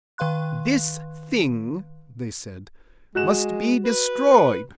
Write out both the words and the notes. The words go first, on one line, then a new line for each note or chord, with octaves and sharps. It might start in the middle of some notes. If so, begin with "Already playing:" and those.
"This thing," they said, "must be destroyed."
D#3 B4 F5 C6 F#6
G#3 F#4 F#6 E7
B4